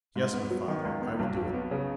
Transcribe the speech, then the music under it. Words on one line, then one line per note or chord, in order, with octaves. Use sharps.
"Yes, my father, I will do it."
G#2
B3
F#3
D#3
C#2
B3
B1
F#3
B3
C#3